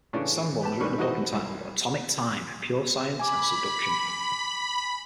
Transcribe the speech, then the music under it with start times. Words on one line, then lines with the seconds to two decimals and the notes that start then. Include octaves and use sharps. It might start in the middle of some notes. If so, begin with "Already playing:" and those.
Sanborn has written a book entitled "Atomic Time: Pure Science and Seduction".
0.13 A2 C#3 E3 C#4 D4
0.61 B3 G4 A5
0.81 A1 D3 D#3 G3 B4 C#6
0.98 D#4 E4 F#4 B4 C5 D#5
1.33 C2
3.20 G#5 B5 D6